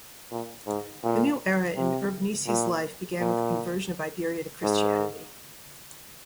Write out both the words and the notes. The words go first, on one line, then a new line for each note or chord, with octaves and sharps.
The new era in Urbnisi's life began with the conversion of Iberia to Christianity.
A#2
G#2
A#2
C3
A#2
A#2
G#2